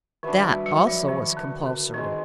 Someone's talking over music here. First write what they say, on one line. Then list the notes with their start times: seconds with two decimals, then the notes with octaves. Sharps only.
That also was compulsory.
0.23 D#3 D4 F#4 B4 E5
0.44 G3
0.66 F#3
0.87 F3
1.09 D#3
1.37 D3
1.66 D3
1.94 D#3 G#3 C4 D#4